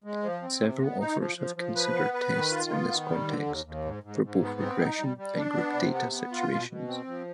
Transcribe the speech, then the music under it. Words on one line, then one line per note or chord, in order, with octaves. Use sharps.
Several authors have considered tests in this context, for both regression and grouped-data situations.
G#3
F3
C4
C3
B3
D#4
F3
F3
F3
B4
B3
B4
D#3
F4
B3
D#3
G3
D3
D#2
D#2
G#2
G#2
G#2
B3
C4
D#4
G3
G3
D4
B3
C3
B3
B3
F4
B2
B2
C4
F3